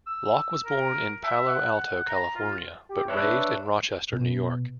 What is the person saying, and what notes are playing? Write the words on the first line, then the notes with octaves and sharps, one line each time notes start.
Locke was born in Palo Alto, California but raised in Rochester, New York.
E6
A#4
E5
F#5
A#5
F4
G4
D4 B4 C#5 E5
B2